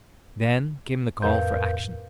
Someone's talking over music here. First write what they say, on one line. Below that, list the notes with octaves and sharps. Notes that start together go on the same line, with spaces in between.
Then came the call for action.
F2 A2 A#4 B4 F5 G6